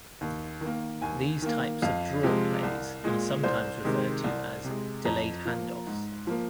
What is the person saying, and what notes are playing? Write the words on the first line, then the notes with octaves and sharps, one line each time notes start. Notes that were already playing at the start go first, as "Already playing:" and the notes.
These types of draw plays are sometimes referred to as "delayed handoffs".
D#2
D#3 A#3
D#2 G#5
D#3 A#3
F2 F5
C3 F3 G#3
C2
A#2 G#3
C2 C5
C3 D#3 G#3
C2
C3
G#3
F2 A#5
F3 A#3
G#2
F3 A#3